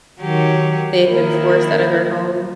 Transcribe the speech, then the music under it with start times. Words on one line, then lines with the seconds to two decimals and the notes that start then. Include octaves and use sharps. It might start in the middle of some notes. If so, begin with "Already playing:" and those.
they've been forced out of their home.
0.20 D#3 F#3 G4 C#5
1.06 D#3 A#3 E4 A#4